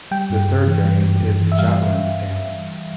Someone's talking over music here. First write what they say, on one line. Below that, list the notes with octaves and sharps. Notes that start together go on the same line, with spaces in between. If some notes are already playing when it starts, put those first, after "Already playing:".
The third variant is the Javelin Stamp.
G3 G5
G2
G2
E3
G3
G2
G2
E3
E5
G3 F5